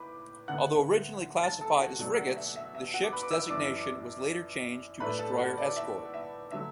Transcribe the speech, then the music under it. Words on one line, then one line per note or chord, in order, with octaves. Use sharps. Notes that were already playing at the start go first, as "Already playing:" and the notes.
Although originally classified as frigates, the ships' designation was later changed to destroyer escort.
Already playing: A2 B4 B5 D6
D2 D3 B3 F#5 F#6
A5 A6
A4 A5
F#4 F#5
B2 F#3 A3 D4
F#4 F#5
E5
E5
E5
F#4 F#5
D6
B4 B5
D6
E5 E6
F#2 E3 D4 D5 D6
A2 A3 D4 B4 B5
A4 A5
F#4 F#5
D5
E5
E5
D3 F#3 A3 E5